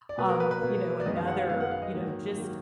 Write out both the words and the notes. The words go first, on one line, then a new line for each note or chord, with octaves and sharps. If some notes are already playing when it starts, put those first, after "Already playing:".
um, you know, another, you know, just
D5
B2 A#3 B4
A#4
B4
B4
B2 A#3
D5
F#2 D#3 G#3 B3 D#5
F5
F#5
F5
F#2 D#3 G#3 B3 F5
F#5
F5
D#5
G#2 D#3 F#3 A#3
D#3 F#3 A#3